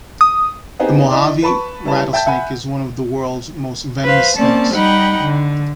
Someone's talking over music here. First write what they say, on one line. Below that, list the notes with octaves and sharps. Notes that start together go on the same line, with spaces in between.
The Mojave rattlesnake is one of the world's most venomous snakes.
D#6
B3 C4 D#4 G4 G#4
D4 E4 D#5
B4 A5 B5 C#6
G3 E4 B4 A5
E5 G5 A5 G6
E5 F#5 G#5 B5
B4 C5 F5
A#3 C4 C#4 D5 A5
G3 D#4 F#5 G5 B5
D3